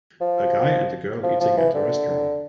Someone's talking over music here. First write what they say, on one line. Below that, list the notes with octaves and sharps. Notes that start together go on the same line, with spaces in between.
A guy and a girl eating at a restaurant.
F3
F3
F3
E3
D3